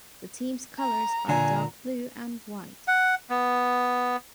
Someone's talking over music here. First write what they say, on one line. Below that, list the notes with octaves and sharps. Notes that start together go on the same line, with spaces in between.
The team's colors are dark blue and white.
A#5
A#2 D3 G#5 A#5
F#5
B3